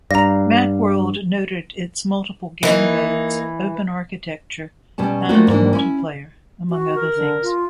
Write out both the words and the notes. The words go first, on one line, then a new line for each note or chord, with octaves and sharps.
Macworld noted its multiple game modes, open architecture, and multiplayer, among other things.
G2 D5 F5 A#5 A#6
E3 A#3 D#4
B2 G3 C#4 A5
A3 A#3 C4 D4 F4 F#4
G#2 E3 A#3 D4
C#4 E4
F#4
A#4
D3
F4